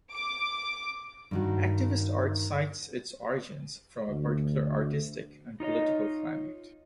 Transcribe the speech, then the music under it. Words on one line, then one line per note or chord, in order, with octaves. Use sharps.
Activist art cites its origins from a particular artistic and political climate.
D6
G2 D#3 F#4
D2
D#4 F4 C#5 D#5